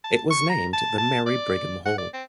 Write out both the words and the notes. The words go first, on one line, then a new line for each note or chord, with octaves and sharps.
It was named The Mary Brigham Hall.
A5
C#6
A#5
A5
A5
D5
F#5
D5
C4